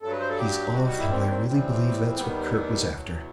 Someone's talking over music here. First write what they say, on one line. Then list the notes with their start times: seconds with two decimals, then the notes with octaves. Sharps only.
"She's off, and I really believe that's what Kirk was after."
0.02 G2 F#3 A4
0.12 B4
0.20 C5
0.29 A4
0.39 G4
0.74 D#2 D#3 G3 F#4
0.86 F#4
0.98 E4
1.10 C4
1.28 C4
1.46 A2 E3 G3 C4
2.17 D#2 D#3 G3 B3
2.90 E2 B2 F#3